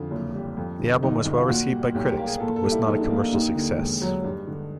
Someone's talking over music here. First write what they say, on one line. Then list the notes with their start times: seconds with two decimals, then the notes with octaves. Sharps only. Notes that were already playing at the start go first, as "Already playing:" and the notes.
The album was well received by critics, but was not a commercial success.
Already playing: F2 D3 F4
0.11 F#1
0.34 G3
0.57 F2
0.79 D3
1.03 G1 D#4
1.19 D#4
1.26 G1
1.33 F4
1.49 A#2 F#4
1.71 G3
1.95 B1 G4
2.10 G4
2.17 A#3
2.26 G#4
2.40 A#2 A4
2.56 A4
2.64 G3
2.71 E4
2.86 A#1 D#4
3.01 D4
3.09 A#3
3.17 D4
3.32 D#2 D#4
3.55 D3
3.78 E1
4.02 F#3
4.24 G2
4.47 D3